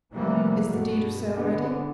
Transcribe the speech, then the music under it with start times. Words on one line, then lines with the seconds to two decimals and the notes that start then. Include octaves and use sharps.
"Is the deed of sale ready?"
0.12 C3 E3 F3 G3 A3 A#3
0.65 G2 B2
1.34 D3 E3 B3